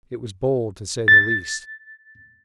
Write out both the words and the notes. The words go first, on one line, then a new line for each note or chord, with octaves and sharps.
It was bold, to say the least.
A6